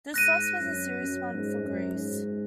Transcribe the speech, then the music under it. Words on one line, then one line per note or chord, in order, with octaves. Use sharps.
This loss was a serious one for Greece.
G#2 F#6 A#6 D#7
F#2
F#2
G#2
F#2
G#2